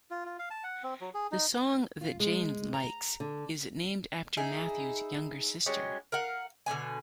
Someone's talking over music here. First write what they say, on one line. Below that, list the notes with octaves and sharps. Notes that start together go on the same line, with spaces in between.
"The Song That Jane Likes" is named after Matthews' younger sister.
F4
F4
F5
A5
F#5
C4
F#3
G#4
D#4
F4
G#3
A#5
D3
D#4 E4 G#4
G3 G#3 C#4 F#4
A#4 F5 F#5
B2 D3 B3 G#5